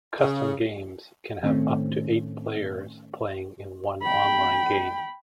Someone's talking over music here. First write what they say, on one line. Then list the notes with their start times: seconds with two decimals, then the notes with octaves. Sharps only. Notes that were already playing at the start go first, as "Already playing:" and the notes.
Custom games can have up to eight players playing in one online game.
0.19 C#3
1.42 A2 D#3 A3 C4 C#4
4.02 G5 B5